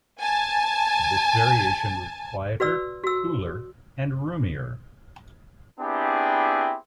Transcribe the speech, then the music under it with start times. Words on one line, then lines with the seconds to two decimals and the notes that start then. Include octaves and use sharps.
This variation was quieter, cooler and roomier.
0.21 G#5 A5
2.60 F#4 B4 D5 E6
3.03 F#4 E6
5.80 B3 C4 D4 E4 G4 G#4